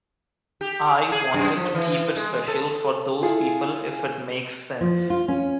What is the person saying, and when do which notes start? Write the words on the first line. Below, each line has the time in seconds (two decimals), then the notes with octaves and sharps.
I wanted to keep it special for those people if it makes sense.
0.61 G4
1.12 G#4
1.34 F#2
1.56 F3
1.75 E3
2.16 G#3
2.48 A4
3.22 E4 F4 G#4 A4
4.81 F3
5.10 F4
5.28 C#4